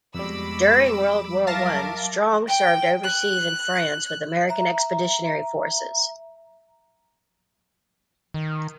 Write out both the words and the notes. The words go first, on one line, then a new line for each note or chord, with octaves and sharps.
During World War One, Strong served overseas in France with American Expeditionary Forces.
F2 B2 G3 G#3 B5 D6 E6
F#3 A#4 E5 F5 A5 D6 A#6
G5
F#6
E5 A#5
D#3